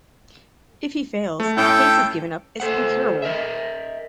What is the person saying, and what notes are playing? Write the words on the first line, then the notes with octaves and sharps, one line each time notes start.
If he fails, the case is given up as incurable.
A3
A2 C#4 E4 A4 G5
A4 C5 F#5
A#4 D#5 E5